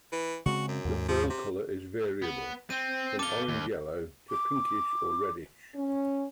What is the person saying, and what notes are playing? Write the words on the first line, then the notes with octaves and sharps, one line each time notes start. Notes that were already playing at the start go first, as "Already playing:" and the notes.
The fall color is variable, from orange-yellow to pinkish or reddish.
E3
C#3 G#3 C4 F#4
F#2
D#2 G#2
F3
C3
B3
C4 D#7
A4 F5 D6 G7
D#2
D6
C#4